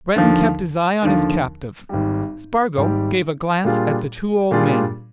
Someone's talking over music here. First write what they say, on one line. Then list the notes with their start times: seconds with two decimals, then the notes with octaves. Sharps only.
Breton kept his eye on his captive; Spargo gave a glance at the two old men.
0.16 D#2 D3 F3
1.02 D#2 D3 F3
1.89 G#1 G#2 G3
2.77 G#1 G#2 G3
3.64 A#2 G3 D4 F4 G#4
4.51 A#2 G3 D4 F4 G#4